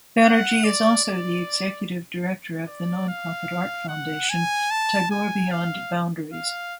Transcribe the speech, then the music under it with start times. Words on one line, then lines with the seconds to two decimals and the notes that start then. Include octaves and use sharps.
Banerjee is also the executive director of the nonprofit art foundation Tagore Beyond Boundaries.
0.23 F#5
0.64 D5
1.04 D5
2.67 D5
3.08 F5
3.89 F#5
4.30 G#5
4.71 A5
5.11 G#5
5.51 F5
6.33 F5